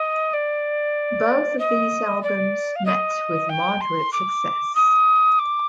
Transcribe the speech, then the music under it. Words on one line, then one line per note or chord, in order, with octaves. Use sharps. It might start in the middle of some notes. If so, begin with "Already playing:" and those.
Both of these albums met with moderate success.
Already playing: D#5
D5
D#5
D5
F5
D#5
G5
C6
D6
D#6
D6